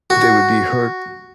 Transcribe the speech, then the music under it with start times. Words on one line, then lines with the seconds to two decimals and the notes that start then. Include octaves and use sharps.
they would be hurt
0.10 F#4